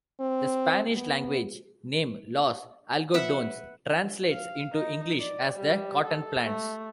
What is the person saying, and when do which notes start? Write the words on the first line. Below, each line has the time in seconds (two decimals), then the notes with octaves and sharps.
The Spanish-language name "Los Algodones" translates into English as "the cotton plants".
0.20 C4
0.95 B3
3.14 B4 E5 F#5 B5
4.31 F5
4.73 D#4
5.20 D5
5.56 G3
6.05 A4
6.45 A3